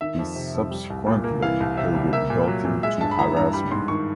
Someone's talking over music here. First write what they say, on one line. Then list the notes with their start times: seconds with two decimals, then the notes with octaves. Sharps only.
He subsequently pleaded guilty to harassment.
0.01 D#3 E5
0.19 F2
0.36 C3
0.54 F2
0.71 G3
0.90 C2
1.07 A#2
1.24 A#3
1.42 E3 F5
1.60 C2
1.77 C3 E5
1.95 G3
2.13 A#3 E5
2.30 A#2
2.48 F#3
2.65 A#2
2.83 G#3 E5
3.01 G2 A5
3.11 B5
3.19 E3 A#5
3.37 G2 A#5
3.53 G3 B5
3.71 G#2 C6
3.88 D#3 C#6